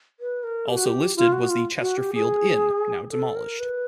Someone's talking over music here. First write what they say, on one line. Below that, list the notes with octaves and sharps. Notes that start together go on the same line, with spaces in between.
Also listed was the Chesterfield Inn, now demolished.
B4
A#4
G4
F#4
G4
F4
F#4
F4
F#4
G4
G#4
A4
A#4
B4